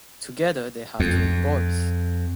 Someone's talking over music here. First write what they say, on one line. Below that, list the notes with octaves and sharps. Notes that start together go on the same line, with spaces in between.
Together they have twin boys.
F2